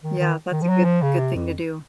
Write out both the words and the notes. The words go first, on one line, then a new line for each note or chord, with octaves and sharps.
Yeah, that's a good good thing to do.
D#3
D#3
D#3
F3
F#3
F3
C#3
C3
F2